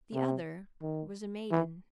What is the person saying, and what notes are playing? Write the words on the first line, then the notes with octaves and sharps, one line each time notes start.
The other was a maiden.
C3
D#3
E3